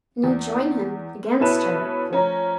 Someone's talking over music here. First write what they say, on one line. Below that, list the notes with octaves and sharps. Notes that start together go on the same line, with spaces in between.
And you join him against her.
E2
B2 C#4 E4 A4 B4 E7
F3 A3 C#4 A#5